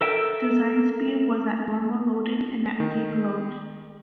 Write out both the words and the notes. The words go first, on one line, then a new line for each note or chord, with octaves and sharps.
Design speed was at normal loading and at deep load.
A4 A#4 E5 G5
D#3